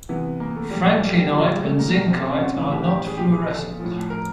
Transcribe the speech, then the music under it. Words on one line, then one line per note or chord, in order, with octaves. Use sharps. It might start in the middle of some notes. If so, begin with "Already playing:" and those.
Franklinite and zincite are not fluorescent.
C3 E3 B3
A#3
A3
A#2 F3 G3
A3
G3
G3
A#2 F3 F#3
G3
G#3
A3
A#3
B2 A#3
C4
C#4
F#4
A2 E3
G4
G4
G#4
A#2 F3 G4
G#4
A4
A2 F3
A#4